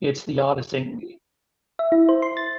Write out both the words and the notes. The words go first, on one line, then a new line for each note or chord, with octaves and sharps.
it's the oddest thing.
E5
E4
C5
C6
A6